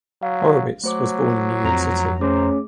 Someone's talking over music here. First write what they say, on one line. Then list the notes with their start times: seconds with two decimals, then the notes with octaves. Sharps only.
Horowitz was born in New York City.
0.23 F#3 F5
0.84 F#3 A3 C5 D6
1.64 F2 A#5
2.21 A3 C#4 G#4 C5 D6